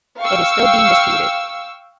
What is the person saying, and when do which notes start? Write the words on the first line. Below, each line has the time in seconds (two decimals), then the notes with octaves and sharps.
It is still being disputed.
0.20 F5 G5 C#6 E6